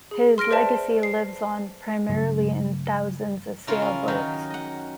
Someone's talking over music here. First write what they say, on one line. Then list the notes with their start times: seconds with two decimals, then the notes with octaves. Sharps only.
His legacy lives on primarily in thousands of sailboats.
0.11 G#4
0.38 C6 F6 A#6 D7
0.51 B4 C5 D5 E5 A5
1.03 C7
2.09 G2 C#3 F#3 A3
3.67 C#3 C#4 E4 F4 A#4
3.82 C#4
4.08 D#3 F#3 D#4
4.50 D#5 F#5